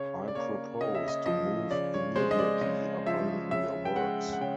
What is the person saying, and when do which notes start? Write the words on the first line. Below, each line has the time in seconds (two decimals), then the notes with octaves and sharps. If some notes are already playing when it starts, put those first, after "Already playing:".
I propose to move immediately upon your works.
Already playing: C#3 C#5
0.28 D5
0.35 A#3 C#5
0.81 C#3 D#5
0.95 E5
1.08 D#5
1.26 F3 D#5
1.71 C#3 D5
1.94 C#5
2.16 G#3 C5
2.31 D#5
2.39 D5
2.61 C#3 D#5
3.06 F3 E5
3.51 C#3 E5
3.85 G5
3.96 G#3 F#5
4.33 F#5
4.41 C#3 G5